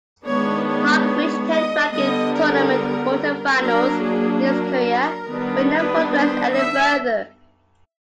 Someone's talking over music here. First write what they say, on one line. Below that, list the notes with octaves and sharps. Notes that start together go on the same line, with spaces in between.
Clark reached ten ranking tournament quarter-finals in his career, but never progressed any further.
D#3 G#3 B3 D4 C#5
C#5
D#5
D3 G3 B3 D#5
A#4
F#3 A#3 D4 A#4
G#4
A#4
D#3 G3 B3 D4
B4
C5
E5